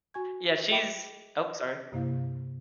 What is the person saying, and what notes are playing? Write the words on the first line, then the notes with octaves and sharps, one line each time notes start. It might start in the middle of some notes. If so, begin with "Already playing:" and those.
Yeah, she's ope, sorry.
F#4 G#5 C#6 G#6
G#4 D#5 E5 G5 B5 D6
G2 C3 A#3 E4 F5